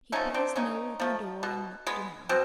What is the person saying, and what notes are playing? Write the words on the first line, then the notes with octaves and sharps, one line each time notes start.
He put his nose in the door and looked around.
F3 A3 C#4 D#4
C4 D4
C#3 C#4 D#4
F3 A3
B2
G#3 B3
B2 C4